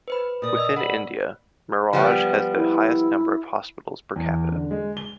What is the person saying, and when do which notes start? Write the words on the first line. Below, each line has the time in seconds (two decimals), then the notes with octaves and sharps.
Within India, Miraj has the highest number of hospitals per capita.
0.08 B4 C5 B5
0.42 A#2 D5 D#6
0.57 D#5 E6
0.76 F#5 B5
1.93 F3 G3 B3
2.56 E4
4.16 E2
4.52 D3
4.71 G#3
4.97 G7